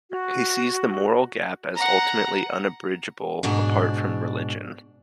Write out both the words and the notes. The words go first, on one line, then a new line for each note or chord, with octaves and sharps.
He sees this "moral gap" as ultimately unbridgable apart from religion.
F#4
F#5 A#5
G#2 B2 D4